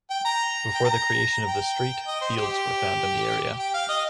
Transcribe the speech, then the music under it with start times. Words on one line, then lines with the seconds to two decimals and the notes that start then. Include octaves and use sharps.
Before the creation of the street fields were found in the area.
0.10 G5
0.25 A#5
0.74 G5
0.85 A#5
1.46 G5
2.07 D#5
2.21 C5
2.37 G4
3.59 G5
3.74 F5
3.89 D#5